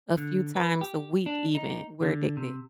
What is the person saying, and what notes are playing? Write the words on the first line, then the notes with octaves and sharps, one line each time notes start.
a few times a week even, we're addicted
D3
B4
G4
D4
D#4
D3
C3